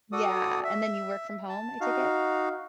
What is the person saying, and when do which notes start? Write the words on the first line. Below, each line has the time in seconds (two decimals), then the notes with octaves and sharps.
Yeah, and then you work from home, I take it?
0.12 F#4 A4 D5 D#6
0.64 E5
1.49 A5
1.81 D#4 F#4 F5